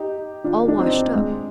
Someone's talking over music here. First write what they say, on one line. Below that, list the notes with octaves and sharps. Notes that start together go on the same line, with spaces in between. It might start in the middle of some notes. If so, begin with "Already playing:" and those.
All washed-up!
Already playing: D#4 G4
D4 F4
D4
C4 D#4
G#3